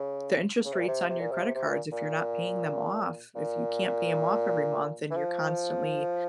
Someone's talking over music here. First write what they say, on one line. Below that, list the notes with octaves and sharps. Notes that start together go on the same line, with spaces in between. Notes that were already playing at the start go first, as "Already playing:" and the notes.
the interest rates on your credit cards if you're not paying them off if you can't pay 'em off every month and you're constantly
Already playing: C#3
C#3
C3
A#2
C3
C3
A#2
C3
C3
A#2
A#2
A#2
E3
F3